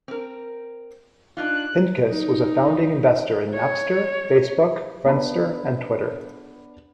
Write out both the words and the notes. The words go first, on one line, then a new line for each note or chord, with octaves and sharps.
Pincus was a founding investor in Napster, Facebook, Friendster, and Twitter.
C4 A#4
D4 D#4 F4 F#6
D#4
C#5
B3 D4 B5